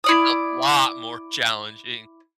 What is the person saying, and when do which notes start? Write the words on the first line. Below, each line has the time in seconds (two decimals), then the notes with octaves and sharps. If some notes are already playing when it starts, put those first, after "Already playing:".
It's a lot more challenging.
0.04 E4 D5 D#6